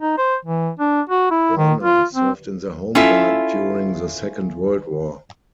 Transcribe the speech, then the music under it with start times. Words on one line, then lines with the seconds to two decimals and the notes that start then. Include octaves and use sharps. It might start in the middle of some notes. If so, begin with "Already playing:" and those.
Warner served in the Home Guard during the Second World War.
0.01 D#4
0.18 C5
0.45 E3
0.79 D4
1.09 F#4
1.31 E4
1.57 D#3
1.83 F4
2.15 C4
2.95 C#4 E4 F4 A4 E5